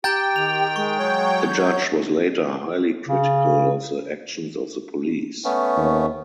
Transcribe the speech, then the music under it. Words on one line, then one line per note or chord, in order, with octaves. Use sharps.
A judge was later highly critical of the actions of the police.
G4 G5 A#5 G6 A6
D#3 F7
G#3 C#6
F#3 C#5 G6
C#3
A3 B3 C#4
D#2